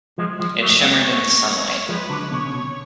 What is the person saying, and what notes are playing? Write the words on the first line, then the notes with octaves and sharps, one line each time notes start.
It shimmered in the sunlight.
F3 G#3
F3 G#3
F#3 A3
G#3 B3
C#5
F3 G#3 B4
D3 F#3
B2 D3 C#5
C#3
B2